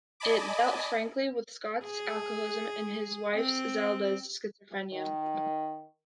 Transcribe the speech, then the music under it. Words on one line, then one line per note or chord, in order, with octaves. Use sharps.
It dealt frankly with Scott's alcoholism and his wife Zelda's schizophrenia.
D5 D#5 G#5 A5 B5 D6
G#4
C4
D#3